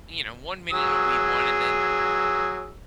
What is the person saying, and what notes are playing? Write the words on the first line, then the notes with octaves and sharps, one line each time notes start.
you know, one minute it'll be one, and then
F#3 G#4 E6